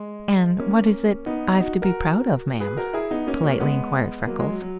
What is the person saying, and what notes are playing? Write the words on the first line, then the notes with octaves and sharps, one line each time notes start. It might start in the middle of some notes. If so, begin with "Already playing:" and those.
"And what is it I've to be proud of, ma'am?" politely inquired Freckles.
Already playing: G#3
A#3 C#4
B3 D#4
D#4 F#4
F#4 A#4
G#4 B4
F#4 A#4
E4 G#4
B3 D#4
A#3 C#4
A#3 C#4
G#3 B3
F#3 A#3
G#3
F#3
F#3